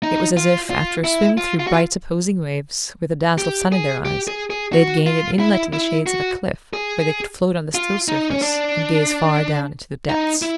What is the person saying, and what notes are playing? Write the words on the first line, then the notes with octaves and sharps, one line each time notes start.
It was as if, after a swim through bright opposing waves, with a dazzle of sun in their eyes, they had gained an inlet in the shades of a cliff, where they could float on the still surface and gaze far down into the depths.
D#4
F4
F4
E4
F4
F4
F#4
F4
G4
G#4
G4
G#4
G#4
F#4
F4
E4
E4
F#4
G#4
F4
D#4
C#4
D4
D#4
E4